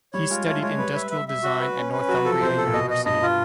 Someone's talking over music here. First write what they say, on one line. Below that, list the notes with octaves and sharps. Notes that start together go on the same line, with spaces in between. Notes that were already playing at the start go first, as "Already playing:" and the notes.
He studied industrial design at Northumbria University.
G3 C#5
G#3 F4
A3 C#5
G#3 C#5
G3 B4
E5
E5
E5
F#4
B4
C#4
B4
F#3 F#4
F3 A4
C3 C5
A4
A#2
B2 D#5
D#5
G2 D#5
F4